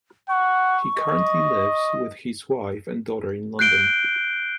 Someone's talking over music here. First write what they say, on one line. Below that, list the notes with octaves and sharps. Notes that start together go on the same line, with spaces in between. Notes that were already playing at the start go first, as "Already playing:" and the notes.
He currently lives with his wife and daughter in London.
F#5 C#6
D#5
F#6 G6 C7 D7 G7